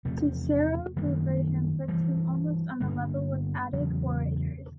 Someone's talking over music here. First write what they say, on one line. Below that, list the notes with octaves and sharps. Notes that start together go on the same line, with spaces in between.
Cicero, who heard him, puts him almost on a level with the Attic orators.
E2 C3 F3 A3
F#2 D#3 G3 A#3
G2 E3 G3
G2 D3 G3 A#3
E2 C#3 F#3